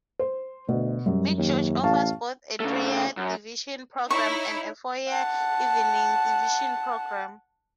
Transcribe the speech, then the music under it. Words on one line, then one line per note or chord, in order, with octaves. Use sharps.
McGeorge offers both a three-year day division program and four-year evening division program.
C5
D2 B2
F#2 G3
D#2
A1 F5 A5 C#6
C#3 A3
F#2
D#4 E4 C#5 C#6
F#5 A5